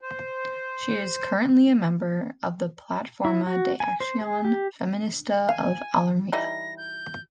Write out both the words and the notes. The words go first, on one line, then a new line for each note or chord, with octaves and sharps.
She is currently a member of the Plataforma de Acción Feminista of Almería.
C5
E4
F#4
G#5
C5
G#4
G4
F5 G#5
E3 G3 D#4 A#6
G6